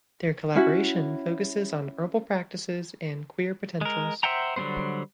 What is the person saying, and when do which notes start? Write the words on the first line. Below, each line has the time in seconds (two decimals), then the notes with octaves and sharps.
Their collaboration focuses on herbal practices and queer potentials.
0.55 C#4 E4 F#4
3.81 G#3 A#4
4.23 C5 E5 F#5 G5 A#5
4.56 D3 F#3 G3 B3 C5